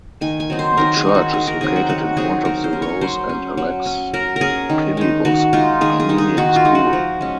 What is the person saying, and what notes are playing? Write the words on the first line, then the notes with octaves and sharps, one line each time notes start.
The church is located in front of the Rose and Alex Pilibos Armenian School.
D#3 G#5
G#5
F#3 C4 D#4
C5
D#3 A#4
G#4
F#3 C4 D#4
F#4
D#3 G#4
A#4
F#3 C4 D#4 G#4
F#4
D#3 F#4
F#3 C4 D#4 G#4
F#3 A#4
C5
C#4
C#5
F#3 C5
C#4
F#3
C#4
F#3 A#4
A#4
C#4 G#4
D#3
G#3 D#4
D#3 F#4
G#3 D#4 F4
D#3 G#4
G#4
G#3 D#4
G#4
D#3 F#4
F4
G#3 D#4
F#4
F3
G#3 C#4